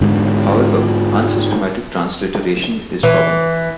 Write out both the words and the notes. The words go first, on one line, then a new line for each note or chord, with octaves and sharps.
However, unsystematic transliteration is common.
G#2 D3
E3